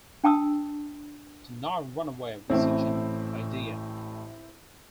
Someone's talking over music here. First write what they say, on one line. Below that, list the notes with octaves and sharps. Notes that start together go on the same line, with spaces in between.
Do not run away with such an idea.
D4 G5 A5 D#6 E6
A1 A2 C4 E4